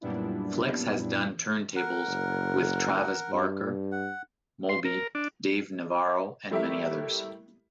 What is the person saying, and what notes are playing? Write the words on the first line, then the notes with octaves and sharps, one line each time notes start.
Flex has done turntables with Travis Barker, Moby, Dave Navarro and many others.
F#2 A#2 G3 B3 D4 E4
A#4 F#5
F#1
G2
F#5
C6
A#4
D4
G3 A3 E4 G4 A#4 E5